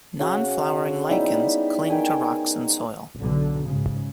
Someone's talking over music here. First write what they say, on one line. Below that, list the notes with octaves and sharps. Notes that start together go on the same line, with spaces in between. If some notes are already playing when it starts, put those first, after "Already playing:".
Non-flowering lichens cling to rocks and soil.
C#3 F#4 G#5
G3 B3 D#4 E4
D#3 G5 G#5
B1 D3
G#2 C#3